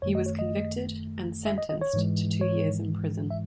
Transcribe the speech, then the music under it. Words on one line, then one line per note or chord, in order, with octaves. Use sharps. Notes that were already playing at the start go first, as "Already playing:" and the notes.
He was convicted and sentenced to two years in prison.
F#2 D#3 A3 C#5
D#5
C#5
D#5
E5
D#5
D#5
C#5
G#2 E3 G#3
C#5
E5